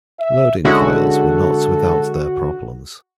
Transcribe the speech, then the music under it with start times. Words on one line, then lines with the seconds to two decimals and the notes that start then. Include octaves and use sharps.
Loading coils were not without their problems.
0.19 E5
0.65 D3 G#3 C#4 E4 F#4 A4